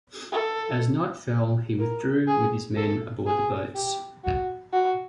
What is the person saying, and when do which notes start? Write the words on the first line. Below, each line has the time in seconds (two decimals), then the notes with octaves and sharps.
As night fell, he withdrew with his men aboard the boats.
0.32 A4
1.79 A#4
2.27 G#4
2.77 A4
3.26 G#4
3.75 G4
4.24 F#4
4.73 F#4